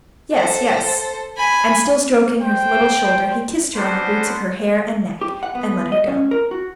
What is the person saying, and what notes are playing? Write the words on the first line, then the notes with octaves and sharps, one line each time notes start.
"Yes, yes." And still stroking her little shoulder, he kissed her on the roots of her hair and neck, and let her go.
A4 C5
G#5 B5
C5 G5
B3 C#4 D4 F#4 C5
G4
F#5
B3
D#5
C#4
A#4
F#4